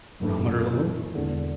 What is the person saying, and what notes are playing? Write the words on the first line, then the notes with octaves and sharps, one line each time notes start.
Barometer low?
F#1 F#2 E3 A3
E1 E2 D3